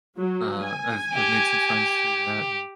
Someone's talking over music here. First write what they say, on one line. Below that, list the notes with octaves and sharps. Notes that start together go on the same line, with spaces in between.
Uh, I've I've made some friends through that and
F#3
G#5
G4